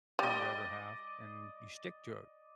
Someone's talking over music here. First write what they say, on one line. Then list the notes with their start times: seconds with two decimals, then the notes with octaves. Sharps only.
your better half, and you stick to it.
0.19 G3 D5 D#5